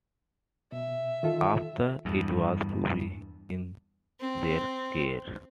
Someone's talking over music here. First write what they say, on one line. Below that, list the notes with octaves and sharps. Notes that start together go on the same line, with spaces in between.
After, it was to be in their care.
B2 E5
D#3 F4 A4
E2 G2
C4